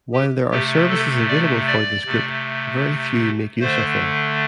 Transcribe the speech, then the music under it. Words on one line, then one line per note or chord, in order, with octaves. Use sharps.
While there are services available for this group, very few make use of them.
G4
C3 A3 G4
A4
D5
D5
C3 A3
D3 A3 C5